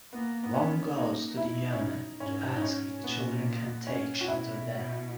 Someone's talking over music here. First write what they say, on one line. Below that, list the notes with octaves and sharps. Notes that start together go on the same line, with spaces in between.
Wong goes to the yamen to ask if the children can take shelter there.
A#3 B3
B3
B3 C#4
A#3 D#4
B2 E4
C#4
D#4
G#2 C#4
D#4
C#4
A#2 B3
C#4
F#4
B2 E4